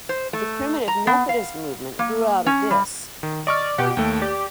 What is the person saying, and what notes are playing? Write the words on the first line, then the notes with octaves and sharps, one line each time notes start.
The Primitive Methodist movement grew out of this..
C5
A3
A#5
B3
F5
A#3
C#4
G3
D#3
D5 D#5 C#6 F6
B2 G4 F#5 G5
D#2 A3 G5
G4 D5